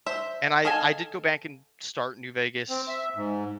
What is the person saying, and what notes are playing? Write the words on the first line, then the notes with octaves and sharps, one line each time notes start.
and I I did go back and start New Vegas,
C5 E5
A4 D#5 F5 G#5 A5
C4
E5
G#2